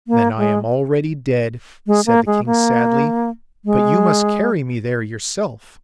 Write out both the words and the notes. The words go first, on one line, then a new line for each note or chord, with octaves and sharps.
'Then I am already dead,' said the King sadly, 'but you must carry me there yourself.'
A#3
G#3
G#3
A#3
G#3
A#3
G#3